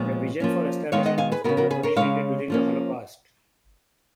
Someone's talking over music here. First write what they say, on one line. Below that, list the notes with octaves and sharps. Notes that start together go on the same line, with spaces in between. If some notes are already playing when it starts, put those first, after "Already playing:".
The vision for establishing the hospital originated during the Holocaust.
Already playing: A#2 F3 G#3 B3 C#5
F3 A#3 C#4
D#3 G#3 B3 C#5 F5
D#5 F#5
F5 G#5
G#4 B4
C#3 F3 B3 F#4 A#4
F#4 A#4
G#4 B4
A#4 C#5
C#3 F3 G#3 C#5 F5
F3 A#3 C#4